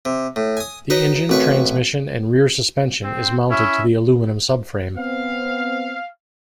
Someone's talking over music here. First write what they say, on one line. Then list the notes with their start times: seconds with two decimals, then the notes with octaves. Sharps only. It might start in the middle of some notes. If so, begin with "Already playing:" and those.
The engine, transmission, and rear suspension is mounted to the aluminum subframe.
0.05 C3
0.36 A2
0.57 G#5 D#6
0.90 D#4 F#4 B4 C#5 D#5
1.29 A1 C4 F#4 A#4 B4 C#5
3.03 C4
3.50 C#4 E4 E5
4.97 B3 C4 F5